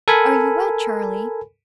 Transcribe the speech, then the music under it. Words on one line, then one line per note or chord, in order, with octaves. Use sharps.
'Are you wet, Charlie?'
A4 A#4 G#5 B5